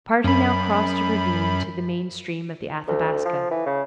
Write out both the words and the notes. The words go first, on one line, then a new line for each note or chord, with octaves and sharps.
The party now crossed a ravine to the main stream of the Athabaska.
F#2 B5
D2
F3
E3
C#3